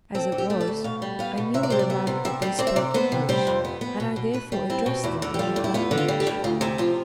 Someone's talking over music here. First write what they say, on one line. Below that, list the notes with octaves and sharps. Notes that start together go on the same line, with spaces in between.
As it was, I merely remarked that they spoke English, and I therefore addressed them in that language.
C4 A4
D3
G4
A3
D5
D2
B2 F5
G3
B3 F5
B2
C3 E5
D5
G3 C5
D5
B3 E5
C3
C3 E5
G3
C4 D5
E5
C3 D5
B3 C5
C3
G3 C5
F2
B3
B3
B2
B2
B2 B4
G3
C4 E4
B2
E2 E4
D3
G4
G3 F4
E2
E4
B3 F4
D3
F4
G3
G4
G2
D2 F4
C3 E4
F3 F4